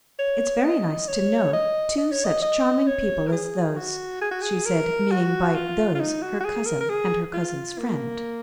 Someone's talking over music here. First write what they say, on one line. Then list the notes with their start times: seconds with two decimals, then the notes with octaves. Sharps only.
"It's very nice to know two such charming people as those," she said, meaning by "those" her cousin and her cousin's friend.
0.19 C#5
0.64 D#5
1.08 C#5
1.53 D#5
1.97 D#5
2.11 C#5
2.24 D#5
2.42 D#5
2.87 C#5
3.27 A#4
3.32 G#4
3.76 F#4
4.21 G#4
4.31 F#4
4.42 G#4
4.66 A#4
5.11 F#4
5.55 F4
5.95 F4
6.00 D#4
6.22 F#4
6.40 F#4
6.44 G#4
6.66 A#4
6.80 A#4
6.89 G#4
7.33 F4
7.78 A#3